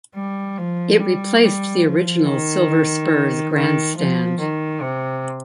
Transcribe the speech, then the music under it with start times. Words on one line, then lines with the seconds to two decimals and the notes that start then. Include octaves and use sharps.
It replaced the original Silver Spurs grand stand.
0.15 G3
0.58 F3
1.00 G3
1.42 G3
1.85 F3
2.27 D#3
3.54 D#3
3.96 F3
4.39 D#3
4.81 C3